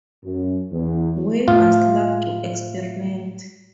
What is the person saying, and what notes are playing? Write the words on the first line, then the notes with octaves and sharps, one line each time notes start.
Weavers love to experiment.
F#2
E2
A2 F4